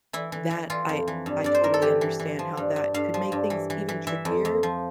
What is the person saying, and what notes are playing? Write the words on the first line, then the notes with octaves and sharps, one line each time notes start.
that I I totally understand how that could make things even trickier,
E3 E4
E3
E3
E3 F4
F2
E3
G2
G2 D5
C5
G2 A#4
A4
E3 G4
E3
E3
F3
G2
G2
G2 F5
F3
G2
E3
E3
E3
E3 E5
F2
F2
F3